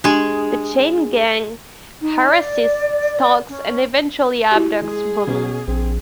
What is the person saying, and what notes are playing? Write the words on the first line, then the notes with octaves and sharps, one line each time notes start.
The Chain Gang harasses, stalks, and eventually abducts Beaumont.
G#3 D4 G4 G#4 C6
D#4
D5
C#4
E4 F#4 G4
G#3 G#4
B2 C#4
A#1 C4